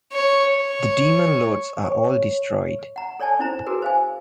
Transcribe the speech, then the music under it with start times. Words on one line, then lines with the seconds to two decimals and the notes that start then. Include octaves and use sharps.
The Demon Lords are all destroyed.
0.13 C#5
0.57 C#5
1.84 C#5
2.96 F#5 A#5
3.20 A4 C#5 D5 G#5 A5
3.39 C#4 E4 C5 A#5
3.66 F#4 G#4 A#4 B4
3.82 C5 F5 G#5